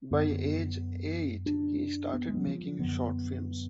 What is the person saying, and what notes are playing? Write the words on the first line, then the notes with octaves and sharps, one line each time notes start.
By age eight, he started making short films.
F#2 D3 B3
D4
B3
G#3
F#3
F3
F#2 D3 B3